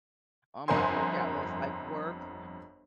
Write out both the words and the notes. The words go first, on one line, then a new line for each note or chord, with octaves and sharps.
on my workout list, like, Work,
G1 F2 A#4 C5 G#5 C6